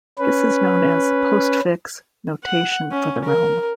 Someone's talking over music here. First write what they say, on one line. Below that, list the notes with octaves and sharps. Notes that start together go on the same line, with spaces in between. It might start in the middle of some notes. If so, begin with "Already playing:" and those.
This is known as "postfix" notation for the realm.
C#4 B4
F#5
C#4
A#4